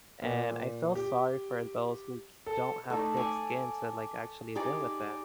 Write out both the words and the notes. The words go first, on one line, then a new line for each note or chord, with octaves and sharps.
and I feel sorry for those who d don't have thick skin to like, actually deal with that,
A#2
G4
A4
A3 D#4 D5
D5 G#5 C#6
D#4 G4 G#4 D5